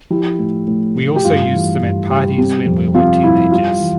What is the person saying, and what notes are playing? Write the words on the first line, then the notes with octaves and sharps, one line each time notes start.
We also used them at parties when we were teenagers.
F3 E4 G4
A2
A2
A2
G4
G2 F4
E3
G2
G3
C3
F2
C3 F4
G3 E4
G3 F4
E3